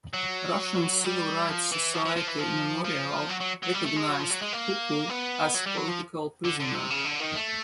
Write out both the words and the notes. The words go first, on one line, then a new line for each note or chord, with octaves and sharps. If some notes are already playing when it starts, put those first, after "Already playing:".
Russian civil rights society Memorial recognized Kuku as political prisoner.
F#3
G3
F3
E3
F3
F3
F3
E3
F3
F3
F#3
F#3
F#3
G3
A3
G#3
F#3
F3
F#3
G#3
A#3
B3
F#3
G3
F#3
F3
D3
D3
C3
C#3
D3
D#3
A3